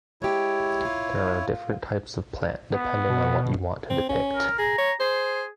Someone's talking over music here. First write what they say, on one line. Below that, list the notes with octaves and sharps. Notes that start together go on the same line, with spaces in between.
There are different types of plant depending on what you want to depict.
G#3 E4 G4 C#5
F4
B3
B2
C4
C#4
A#4
G#4 A#5
C#5
G#4 C5